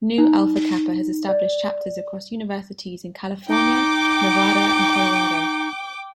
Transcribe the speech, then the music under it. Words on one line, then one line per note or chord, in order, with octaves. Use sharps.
Nu Alpha Kappa has established chapters across universities in California, Nevada and Colorado.
D#4
D5
D#4 G5 D6